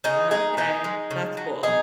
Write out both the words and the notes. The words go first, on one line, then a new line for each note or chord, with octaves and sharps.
Okay. That's cool.
C#3 D#4 G#4
G#3 D#4 G#4
B2 D#4 G#4
G#3
C#3
F#3
B2 D#4 G#4